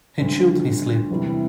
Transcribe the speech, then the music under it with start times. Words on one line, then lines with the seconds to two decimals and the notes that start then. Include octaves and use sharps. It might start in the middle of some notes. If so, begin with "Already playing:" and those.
He chewed his lip.
0.20 D2 D3 G3
1.10 E2 C3 G3 E4